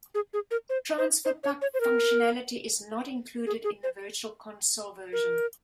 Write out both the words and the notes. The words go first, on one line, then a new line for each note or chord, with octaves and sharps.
Transfer Pak functionality is not included in the Virtual Console version.
G#4
G#4
A#4
C5
C5
C5
C#5
C#5
C5
A#4
G#4
G#4
C5
A#4